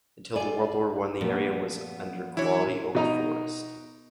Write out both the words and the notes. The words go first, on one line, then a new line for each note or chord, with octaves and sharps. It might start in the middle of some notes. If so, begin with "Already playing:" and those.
Until the World War One, the area was under quality oak forest.
F4 A4 D5 G#5
A#2 F3 A3 B3
E3 D4 E4 F#4 C#5
B2 D#4 A#5